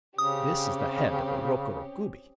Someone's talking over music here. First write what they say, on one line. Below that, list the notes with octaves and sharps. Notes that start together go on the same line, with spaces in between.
This is the head of a Rokuro-Kubi.
C#3 C4 C#4 G4 D#6